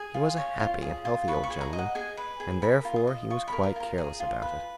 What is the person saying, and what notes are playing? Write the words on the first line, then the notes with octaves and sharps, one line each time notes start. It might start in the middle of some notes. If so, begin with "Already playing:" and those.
He was a happy and healthy old gentleman and therefore he was quite careless about it.
Already playing: G#4 G#5
F4
C#5
F4
G#4
F4
B4 C#6
C#6
G#4
A#5
D#5
F#5
G#4 G#5
B4
G#4
A#4 B5
F4
D#6
D#5
F4 C#6
B5
A#4
A#5
F4 A#5
G#4
F4
B4